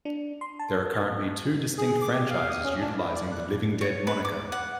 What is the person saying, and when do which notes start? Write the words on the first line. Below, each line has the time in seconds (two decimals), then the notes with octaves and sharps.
There are currently two distinct franchises utilizing the "Living Dead" moniker.
0.05 D4
0.41 C6
0.59 A5
1.78 G#4
2.02 D6
2.14 G4
2.31 F5
2.50 D#6
2.64 C#4
2.81 D4
2.98 E4
3.15 D5
3.32 F#6
3.81 C#5
4.07 B4
4.25 D6
4.52 F#5